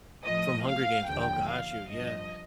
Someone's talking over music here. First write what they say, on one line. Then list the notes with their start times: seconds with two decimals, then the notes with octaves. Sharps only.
from Hunger Games oh, got you, yeah.
0.24 A2 F3 D#5
0.65 F5
1.07 D#2 D3 F3 G5
1.49 F5
1.90 G2 F3 D#5